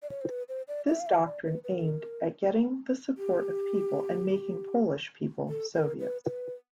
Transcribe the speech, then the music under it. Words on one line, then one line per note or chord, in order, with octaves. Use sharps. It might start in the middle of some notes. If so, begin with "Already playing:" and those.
This doctrine aimed at getting the support of people and making Polish people "Soviets".
D5
C#5
C5
B4
C5
D5
E5
F5
E5
D5
B4
B4
A#4
A4
A#4
G4
A4
A#4
B4
B4